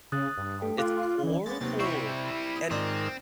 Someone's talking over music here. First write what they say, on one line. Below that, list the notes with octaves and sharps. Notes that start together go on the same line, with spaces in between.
It's horrible. And
C#3 D#6 F#6 A6
G2
A3 A4 G5
F4 D6 F#6
E3 C#4 D5
G#3 A#3 B3 A6
D#2 C3 F#3 B3
G3 C4 E4 D#5 A#5 C#6
D#6
G#2 D#3 C4 F4 A#4 D5 E5